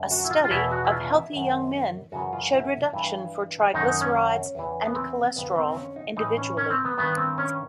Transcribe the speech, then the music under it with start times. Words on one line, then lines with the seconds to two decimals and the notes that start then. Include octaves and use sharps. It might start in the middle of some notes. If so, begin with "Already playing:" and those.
A study of healthy young men showed reduction for triglycerides and cholesterol individually.
Already playing: F#2 D3
0.11 F#4
0.24 E4
0.30 F4
0.44 F4
0.51 E2 B2 E4
0.71 F#4
0.85 E4
0.91 F4
1.04 F4
1.11 E4
1.32 F#2 D#3
2.12 F#2 C#3 E3 F#4
2.33 F4
2.54 E4
2.93 G2 E3
3.74 F#2 D#3 D#4
3.88 D#4
4.01 C#4
4.55 E2 C#3 E3
4.85 B3
4.95 C4
5.35 F2 D3 B3
5.56 C4
5.68 C4
5.76 C#4
5.96 D#4
6.17 A2 E3 D#4
6.37 C#4
6.57 C#4
6.70 C4
6.85 B3
6.98 G2 D#3 B3
7.17 C4
7.38 C#4